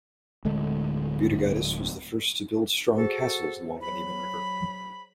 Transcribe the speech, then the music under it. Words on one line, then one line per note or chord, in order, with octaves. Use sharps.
Butigeidis was the first to build strong castles along the Neman River.
D1 D3 G#3 A3
F#4 G#4 A4 C5
F#3 B5